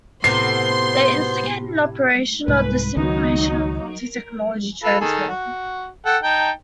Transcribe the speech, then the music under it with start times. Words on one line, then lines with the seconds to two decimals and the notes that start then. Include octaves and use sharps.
They instigated an operation of disinformation and faulty technology transfer.
0.24 A2 C3 B3 C4 C5 C6 C7
2.48 C2 G#2 B4
2.97 C#2 D#3 F#3 D#4
4.84 F4 A4 B4
5.01 D#3 G#4 A4
5.29 F#4
6.06 A4 F#5 G5
6.23 D#4 G5 A5